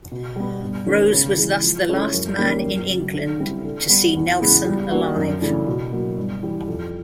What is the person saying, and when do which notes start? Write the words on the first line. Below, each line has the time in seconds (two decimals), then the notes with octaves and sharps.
Rose was thus the last man in England to see Nelson alive.
0.12 B2
0.36 G3 B3
0.62 G2
0.86 D#3 G#3 C#4
1.12 C#3
1.37 E3 G#3
1.62 F3
1.88 G#3 C#4 E4 A4
2.13 F#2
2.38 D#3 G3 A#3 C#4
2.64 F#2
2.88 C#3 F#3
3.13 D3
3.40 G3 C4 E4
3.64 D3
3.89 G3 B3
4.15 E2
4.40 C#3 E3 G#3 B3
4.66 G3
4.90 A#3 D4 F#4 A#4
5.16 F#2
5.41 C#3 E3 A3 D4
5.67 B2
5.92 F#3 A#3
6.17 G2
6.43 E3 G3
6.67 F2